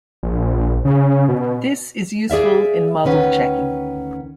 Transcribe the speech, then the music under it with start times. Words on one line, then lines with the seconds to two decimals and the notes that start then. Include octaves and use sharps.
This is useful in model checking.
0.23 A#1
0.85 C#3
1.28 B2
2.30 G#4 D5 E5 F5
3.04 D2 D#3 C#4 B4 F#5